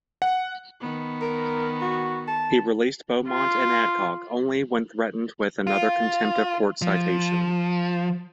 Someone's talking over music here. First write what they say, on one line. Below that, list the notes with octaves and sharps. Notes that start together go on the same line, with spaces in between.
He released Beaumont and Adcock only when threatened with another contempt of court citation.
F#5
D#3 B3
A#4
F#4
A5
F4
F4
F3